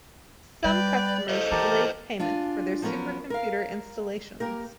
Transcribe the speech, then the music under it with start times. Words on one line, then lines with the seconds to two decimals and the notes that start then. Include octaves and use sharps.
Some customers delayed payment for their supercomputer installations.
0.64 G3 B4 D5 G5
1.29 A4 C5 D#5
1.52 E3 G4 A#4 A5
2.20 D4 F4 G#5
2.82 F3 F#3 B3 C#4 A#4
3.30 A#4 F5
4.40 A#3 G4 A#4